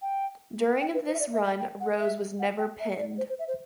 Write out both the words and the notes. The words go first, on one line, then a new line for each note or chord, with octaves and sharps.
During this run, Rose was never pinned.
G5
G5
B4
C5
E5
D5
E5
G5
G5
F#5
E5
F#5
G5
E5
D5
C5
C5
E5
C5